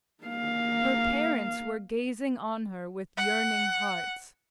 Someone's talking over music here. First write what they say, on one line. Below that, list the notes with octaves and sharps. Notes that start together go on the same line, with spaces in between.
Her parents were gazing on her with yearning hearts.
A#3 F5
F#5